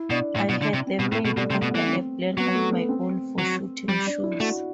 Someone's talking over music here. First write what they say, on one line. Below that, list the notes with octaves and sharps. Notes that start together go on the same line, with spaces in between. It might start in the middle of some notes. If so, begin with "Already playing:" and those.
I had them made after a plan of my own, for shooting-shoes.
Already playing: E4
B2 D4
A2
B2
D3
C3
C4
B2
A2 A3
B2
B2 G3
C3
A3
B2
E3 B3
C4
F#3 B3
A3
B3
C4
F#3
G3
D4
E4
A3 F#4